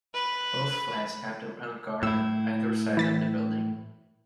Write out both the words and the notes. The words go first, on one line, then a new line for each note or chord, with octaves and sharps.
Both flats have their own garden either side of the building.
B4
A2 E4 E6
E3 A6 B6